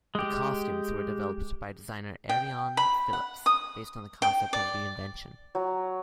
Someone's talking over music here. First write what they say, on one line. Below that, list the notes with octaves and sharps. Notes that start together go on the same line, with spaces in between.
The costumes were developed by designer Arianne Phillips based on the concept of re-invention.
G#3 G4
G5
B5
F#5
D#6
G5
D5
F#3